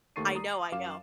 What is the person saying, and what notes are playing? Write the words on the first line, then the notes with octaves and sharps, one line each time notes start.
I know, I know.
D#2 A3 C#6 A6 C7 D#7
A#5 D#6
F#2 F5 D6 E7